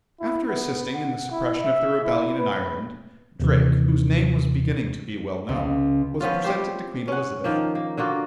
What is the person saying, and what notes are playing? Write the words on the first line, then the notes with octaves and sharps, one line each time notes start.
After assisting in the suppression of the rebellion in Ireland, Drake, whose name was beginning to be well known, was presented to Queen Elizabeth.
E4
B3
F#5
E4
E5
E4
B4
D#2 C3 E3
C#2
F3 B3 C#4 F4
G3 C4 G4 C5
C#4 F#5
D#3 F3 A#3
A#3
D3 A#3 F4 F#4